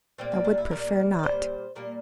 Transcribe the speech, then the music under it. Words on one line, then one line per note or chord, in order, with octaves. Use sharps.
"I would prefer not."
A#2 G3 A#3 C4
C4
D4
E4
A#2 G3 A#3 A#4
D5
A#2 G3 A#3 C5
A#2 G3 A#3 A#4